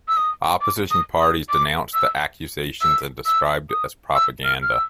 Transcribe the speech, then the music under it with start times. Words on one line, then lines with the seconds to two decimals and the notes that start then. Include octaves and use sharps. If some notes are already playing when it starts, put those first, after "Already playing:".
Opposition parties denounced the accusations and described it as propaganda.
0.08 E6
0.17 D#6
0.61 D6
0.91 D#6
1.21 D#6
1.50 D6
1.94 E6
2.82 E6
3.26 E6
3.70 D#6
4.15 E6
4.45 F6
4.62 F6
4.73 E6